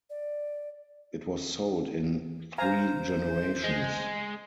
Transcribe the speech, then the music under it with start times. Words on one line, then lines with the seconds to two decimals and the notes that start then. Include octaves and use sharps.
It was sold in three generations.
0.10 D5
2.58 C5 F5 G#5 A#5
3.64 G#3